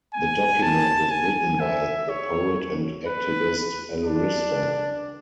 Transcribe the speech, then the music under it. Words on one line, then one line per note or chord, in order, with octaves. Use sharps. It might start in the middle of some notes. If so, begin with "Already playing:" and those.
The document was written by the poet and activist, Alurista.
G#5
A5
G#5
E5
C#5
B4
D4